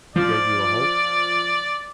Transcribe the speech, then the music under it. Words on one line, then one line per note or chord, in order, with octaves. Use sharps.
"He gave you a hope?"
F3 D5